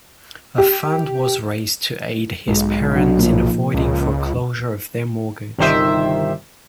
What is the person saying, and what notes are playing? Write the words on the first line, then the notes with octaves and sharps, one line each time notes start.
A fund was raised to aid his parents in avoiding foreclosure of their mortgage.
G4
B1 G#2
F#3 D4
A#2 F3
C#2
G1 C2 D#3 G4 C5 E5